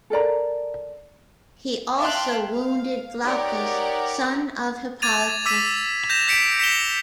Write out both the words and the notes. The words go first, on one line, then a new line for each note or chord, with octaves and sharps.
He also wounded Glaucus, son of Hippolochus.
A4 A#4 D5 A#5
E5 F5 G5 A5 C6 F#6
F5
D#4 G4 A#4 C#5 D5 F#5
D6 G#6 A6 D#7 F7
D6 E6 B6 D#7
G6 A#6 E7 F7
G6 B6 C#7 D7
B6 E7 F7 G7